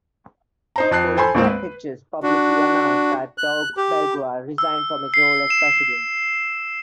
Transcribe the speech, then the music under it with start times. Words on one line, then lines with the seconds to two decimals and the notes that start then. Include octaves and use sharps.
Columbia Pictures publicly announced that Doug Belgrad resigned from his role as president.
0.76 D#4 C5 A#5
0.91 F2 A5 F#6 C7
1.17 A4 C5 G#5 B5 C6
1.35 D#2 A2 G#3 A#3 C4
1.47 B4
2.23 D4 F#4
3.38 F#6
3.77 G4
4.58 E6
5.14 C7
5.50 E7